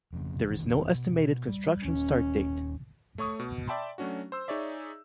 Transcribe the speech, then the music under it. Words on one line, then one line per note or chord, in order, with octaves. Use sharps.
There is no estimated construction start date.
F2 C#3
F1 D#3 E3
B2
G3
D#1 D#2 C#4
A3 C#5 C#6 D#6
B2
D5 E5 G5 A5 B5 C6
F#3 A3 C#4 D4 F#4
C5 E6
D#4 G#4 C#5 D5 E5